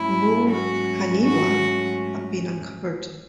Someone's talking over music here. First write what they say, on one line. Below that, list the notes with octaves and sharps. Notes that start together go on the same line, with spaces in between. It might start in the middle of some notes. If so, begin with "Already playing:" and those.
No "haniwa" have been uncovered.
Already playing: G#2 F#3 A3 C#4 E4
F#4
F#4